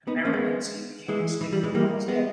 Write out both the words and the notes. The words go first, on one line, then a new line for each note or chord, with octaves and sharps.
The baronetcy became extinct on his death.
B3 D#4
A#3 C#4
G#3 B3
E3 G#3
E3
G3
E3 G#3
G3 A#3
G#3 B3